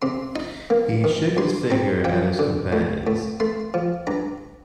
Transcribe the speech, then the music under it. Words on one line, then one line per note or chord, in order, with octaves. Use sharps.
He shook his finger at his companions.
C3 C6
D#4
A#3
D#3
G2 C6
C4 A#5
F3 G5
D3
A2
A2
A3 C6
F3
G2 A#5